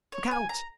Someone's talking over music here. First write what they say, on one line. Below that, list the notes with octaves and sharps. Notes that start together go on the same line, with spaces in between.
"Look out!"
C#5
G#5
A#5